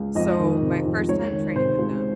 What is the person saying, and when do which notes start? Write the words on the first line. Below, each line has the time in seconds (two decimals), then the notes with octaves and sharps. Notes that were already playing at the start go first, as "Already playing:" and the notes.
So my first time training with them
Already playing: C#2
0.15 F2 D#5
0.39 D#3
0.62 C3
0.86 F2
1.09 C#2 C#5
1.32 D#3
1.55 C3 C5
1.79 C#2